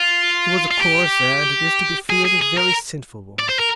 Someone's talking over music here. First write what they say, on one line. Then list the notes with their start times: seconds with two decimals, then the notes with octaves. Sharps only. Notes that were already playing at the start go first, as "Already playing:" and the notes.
She was a coarse and, it is to be feared, a very sinful woman.
Already playing: F4
0.71 F4
0.79 G4
2.10 G#4
2.25 G#4
2.41 G#4
2.58 A#4
3.39 D5
3.49 C5
3.59 A#4